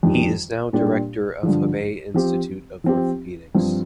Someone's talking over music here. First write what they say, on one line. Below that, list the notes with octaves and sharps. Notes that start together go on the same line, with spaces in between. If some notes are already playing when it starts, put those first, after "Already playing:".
He is now director of Hebei Institute of Orthopedics.
F2 D#3 G3
A#2 G3 D4 G4
G2 D3 F3
F3 C4 G4
F3 C4 G4
G2 F3 C4